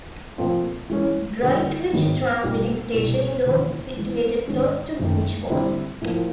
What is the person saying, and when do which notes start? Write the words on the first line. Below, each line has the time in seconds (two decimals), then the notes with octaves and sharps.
Droitwich transmitting station is also situated close to Wychbold.
0.38 A#2 F3 A3 C4 F4
0.90 E3 G#3 C#4
1.41 F2 D3 G3 A#3
1.92 G#1 G#2 D#3 F#3 B3
2.43 B1 A#2 G3
2.94 C2 B2 G3 B3 D4
3.46 E1 D#2 C#3 F3 A#3
3.97 A1 A2 E3 G#3
4.48 G#2 D#3 G#3 C#4
4.99 F#1 F#2 D#3
5.50 D3 G3 C4 E4
6.02 A2 F3 A#3